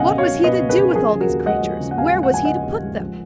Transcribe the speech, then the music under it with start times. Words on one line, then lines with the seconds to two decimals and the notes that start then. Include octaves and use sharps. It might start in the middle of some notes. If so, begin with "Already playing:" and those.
What was he to do with all these creatures, where was he to put them?
Already playing: C#2 B2 F#3 D#5 F5 F#5 G#5
0.10 C#2
0.18 C#5 F5
0.27 F#3
0.43 B2 B4 D#5
0.61 C#2
0.69 G#4 B4
0.78 C#2
0.89 A#4
0.95 F3 G#4
1.12 C#3
1.20 F#4 A#4
1.29 D#2
1.46 G#3 D#5 F#5
1.63 F3
1.80 C#3
1.91 F#5
1.98 D#2 F5 G#5
2.15 G#3
2.23 F#5
2.32 F3 G#5
2.45 C#3 D#5 F#5
2.66 D#2
2.83 G#3
3.00 F3